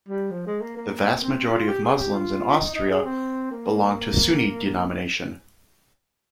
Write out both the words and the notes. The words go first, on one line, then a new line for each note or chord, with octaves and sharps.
The vast majority of Muslims in Austria belong to Sunni denomination.
G3
F3
G#3
A#3
A#3
C4
F4
G4
G#4
G4
F4
D#4
D#4
G#4
C4
A#3